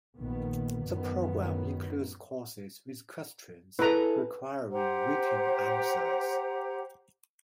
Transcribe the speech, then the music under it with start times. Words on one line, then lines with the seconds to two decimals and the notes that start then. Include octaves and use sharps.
The program includes courses with questions requiring written answers.
0.21 A#1 D#3 B3
0.86 F#2 A2 D#3 B3
3.79 E4 G#4 A4 B4 A#5
4.71 G4 C5 F#5 A#5